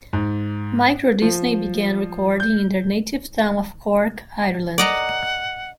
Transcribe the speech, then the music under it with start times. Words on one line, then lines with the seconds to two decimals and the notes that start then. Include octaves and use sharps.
Microdisney began recording in their native town of Cork, Ireland.
0.13 G#2
1.22 F3
2.40 G6
4.78 D5 D#5 F#5 A#5